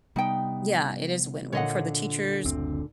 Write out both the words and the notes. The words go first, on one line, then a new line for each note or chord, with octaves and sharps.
Yeah, it is win-win, for the teachers,
C3 G3 B3 D#4 G5
A#2 D3 C#5 D#5 F#5
F#1 D2 C4